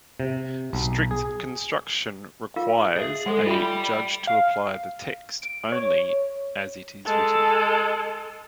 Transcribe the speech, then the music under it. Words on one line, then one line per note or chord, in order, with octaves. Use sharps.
Strict construction requires a judge to apply the text only as it is written.
C3
B1
G#4
F4 A#4 F5
G#4 D#5 E5
G#3 A4 C5 F#5
F4 D5 E5 G5 B5
F5
D7
C#5
G#3 A4